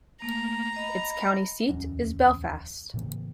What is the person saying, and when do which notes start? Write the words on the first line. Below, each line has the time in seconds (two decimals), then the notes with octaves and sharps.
Its county seat is Belfast.
0.22 A3 A#3 A#5
0.76 D#5 B5
1.69 D1 E2 F#3 C#4
2.94 A2 C#3 E3 A#3